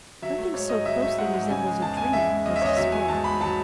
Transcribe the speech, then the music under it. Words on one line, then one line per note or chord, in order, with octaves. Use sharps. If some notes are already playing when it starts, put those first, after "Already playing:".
Nothing so closely resembles a dream as despair.
F#3 E5
A3
G#2 C#5
G#2 D#5
F#3 E5
A3 E5
G#2 F#5
G#2
C#3 G#5
G#3
E2 A5
E2 G#5
C#3 E5
G#3
E2 D#5
E5
E2 C#5 D#5
F#3 E5
A3 G#5
G#2 A5
G#2 B5
F#3 A5